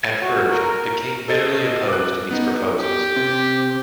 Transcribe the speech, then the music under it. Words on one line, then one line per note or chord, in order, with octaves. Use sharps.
At first, the King bitterly opposed these proposals.
F#4
A#4
A4 C5 D#5 A6
D6 F#6
B3 D#4
G4
C3